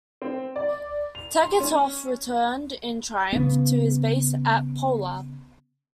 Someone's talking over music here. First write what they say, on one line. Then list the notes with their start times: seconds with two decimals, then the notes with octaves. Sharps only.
Tegetthoff returned in triumph to his base at Pola.
0.22 C4
0.56 D5
1.15 F7
1.42 C6
1.60 C#4
3.33 C#3 B3